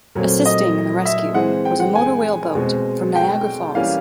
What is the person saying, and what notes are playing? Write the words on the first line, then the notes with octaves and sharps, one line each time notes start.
Assisting in the rescue was a motor-whale boat from Niagara Falls.
A#2 F#3 A3 C4
D#5
E5
E3 G#3 C4 F#5
G5
F#5
G#5
B2 G#3 C4
G5
E3 G3 A#3 C#4 F5